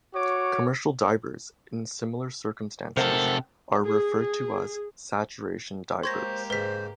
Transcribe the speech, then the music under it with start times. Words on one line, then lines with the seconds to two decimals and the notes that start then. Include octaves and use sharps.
Commercial Divers in similar circumstances are referred to as Saturation Divers.
0.13 F#4 C#5 D6
2.97 C3 A4 A#4 C5 F#5
3.86 G#4
4.21 G#4
6.03 G#3 A#3 G4 C5 C#5 C6 G#6 A#6
6.50 G#2 C#3 B4 C5 B6